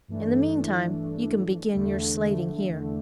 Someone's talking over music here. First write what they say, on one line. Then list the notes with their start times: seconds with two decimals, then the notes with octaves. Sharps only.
In the meantime, you can begin your slating here.
0.08 G2 E3 A3 D4
1.73 E2 D3 A3